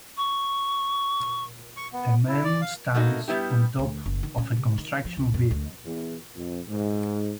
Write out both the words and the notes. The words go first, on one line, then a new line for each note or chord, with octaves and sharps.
A man stands on top of a construction vehicle.
C#6
C#6
B3
E4
D5
F5
B2 A3 A#3 D#4 F#4
G3 B3 E4 G4
D2
F#1
D#3
C#4
C3
D#3
F3
C#2
F#2
D2
E2
F2
G#2